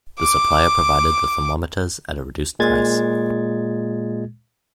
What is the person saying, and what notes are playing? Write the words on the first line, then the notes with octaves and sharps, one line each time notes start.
The supplier provided the thermometers at a reduced price.
D6
A#2 G#3 G#6 A6